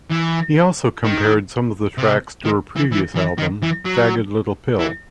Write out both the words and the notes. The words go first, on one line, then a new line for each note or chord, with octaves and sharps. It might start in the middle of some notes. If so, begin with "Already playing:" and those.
He also compared some of the tracks to her previous album, "Jagged Little Pill".
E3
D#3
C3
D#3
E3
E3
E3
D#3
E3
F#3
E3